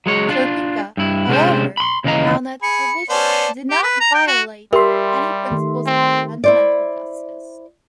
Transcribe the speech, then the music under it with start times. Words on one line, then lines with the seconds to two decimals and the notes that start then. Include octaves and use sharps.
Sopinka, however, found that the provision did not violate any principles of fundamental justice.
0.06 F#3 G#3 C#5
0.29 D4 F4
0.97 G2 E4
1.29 C3 G#3 C#4 D4 G4 C5
1.77 B5 C6
2.04 D#2 C#3 E3 D#5 F5 A#5
2.62 G#4 B5 C#7
3.10 B3 C#4 C5 D5 A5
3.70 G4
3.83 B4
4.01 A#5
4.15 G5
4.27 F#4
4.73 G3 G4 A#4 E5 C6
5.51 D#3 A3
5.86 C4
6.44 E4 C5 D5